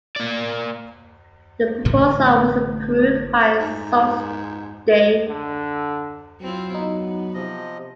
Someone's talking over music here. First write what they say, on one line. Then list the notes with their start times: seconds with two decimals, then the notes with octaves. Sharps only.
The proposal was approved by Sault Ste.
0.16 A#3 D5
1.85 A1 A2 D3 A3
3.60 G#2
5.29 D3
6.41 F#3 C4 E4 F4
6.74 B3 D#4
7.34 C3 F3 D#5